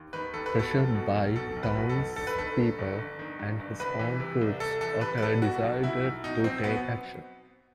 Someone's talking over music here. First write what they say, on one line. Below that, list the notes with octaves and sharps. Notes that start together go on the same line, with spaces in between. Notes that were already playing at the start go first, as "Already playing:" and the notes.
Pressured by the townspeople and his own troops, Otter decided to take action.
Already playing: D#2
D#3 B4
D#2 A4
B4
B2
A4
B1
B2
B1
B2 A4
B1
B4
B2
A4
B1
G1 A4
B4
D#3 A4
G2
G1
G1
D#3
G2
G1
C2 B4
E3
C3
C2
C2 A4
E3 A4
C3 B4
B4
C2 A4
B2 F#4
B1
B2 E4
B1
B2 D#4
B1 C4
B2 B3